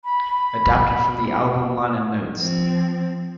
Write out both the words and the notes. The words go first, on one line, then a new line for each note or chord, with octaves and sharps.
Adapted from the album liner notes.
B5
F3 C4